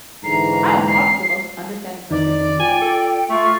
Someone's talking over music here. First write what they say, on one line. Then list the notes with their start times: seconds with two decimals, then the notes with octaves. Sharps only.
I am probably the most understanding person in the world.
0.24 G#2 D3 E3 A#5 C7
0.87 C7
2.11 F2 D#3 D#4 D5
2.60 F4 G5 G#5
2.81 A4
3.30 A3 F4 C#6